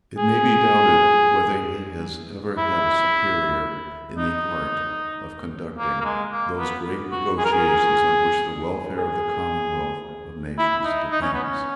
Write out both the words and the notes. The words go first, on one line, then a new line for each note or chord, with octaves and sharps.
It may be doubted whether he has ever had a superior in the art of conducting those great negotiations on which the welfare of the commonwealth of nations depends.
G#4
E4
D#4
A#3
A#3
G#3
A#3
B3
F#4
G#4
A#4
G#4
G#4
E4
D#4
D#4
C#4
B3
C#4